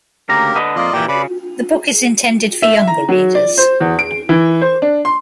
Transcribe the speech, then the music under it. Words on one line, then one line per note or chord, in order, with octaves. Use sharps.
The book is intended for younger readers.
D2 C#3 A#3 G4 A#4 A#5
D3 B4 D#5
F2 A#3 F4 D5 D#5
A#2 E3 G4 G5 A#5
C#3 B4 D5 B5
E5
A#5
F#3
D5
C5
E2
D7
E3
C5
D4
C6